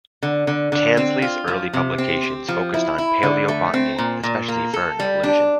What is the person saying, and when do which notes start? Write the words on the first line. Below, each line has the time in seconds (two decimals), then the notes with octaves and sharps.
Tansley's early publications focused on palaeobotany, especially fern evolution.
0.23 D3
0.47 D3
0.72 D3
0.97 C4
1.22 F4
1.48 F3
1.73 C3
1.98 C4
2.23 C4
2.49 F3
2.74 E4
2.98 E4
3.23 D3
3.48 A3
3.74 C4
3.98 A#2
4.23 A#2
4.48 A#3
4.73 A4
5.00 G3
5.23 D4